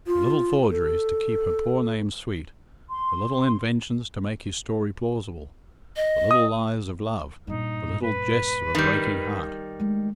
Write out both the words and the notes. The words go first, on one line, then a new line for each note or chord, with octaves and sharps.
The little forgeries' to keep her poor name sweet, the little inventions to make his story plausible, the little lies of love, the little jests of a breaking heart!
F4
A4
C6
D#5
D#6
G2 A#2 D#4
B4
D#3 G3
G#3 A3